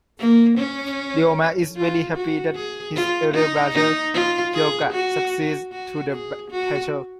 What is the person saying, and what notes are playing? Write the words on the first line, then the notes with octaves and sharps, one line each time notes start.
Ryouma is very happy that his elder brother Hyuuga succeeds to the title.
A#3
C#4
F4
F#4
G#4
F4
D#4
D#4
F4
G#4
F#4
F#4
G#4
F#4